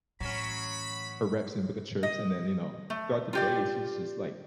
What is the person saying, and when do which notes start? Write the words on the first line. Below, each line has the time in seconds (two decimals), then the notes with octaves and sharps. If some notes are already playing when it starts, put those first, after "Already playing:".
her reps in with the chirps, and then, you know, throughout the day, she's just, like,
0.20 A2 E3 F#3 C#4 B5
2.03 D#5
2.90 A3
3.33 F4 G4 D5